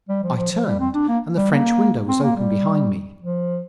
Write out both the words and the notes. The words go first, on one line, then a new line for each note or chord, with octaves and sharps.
I turned, and the French window was open behind me.
G3
F3
F3
F3
G3
C4
D4
A#3
G3
A#3
C4
A#3
G3
F3